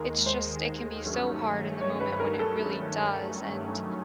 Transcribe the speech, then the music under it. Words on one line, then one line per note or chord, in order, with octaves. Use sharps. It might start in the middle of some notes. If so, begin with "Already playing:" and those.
It's just it can be so hard in the moment when it really does, and,
Already playing: D#2 D#3 G#3 A#4
C5
G2 D#3 F#3 A3 C#4
C#5
B4
B4
A#4
A4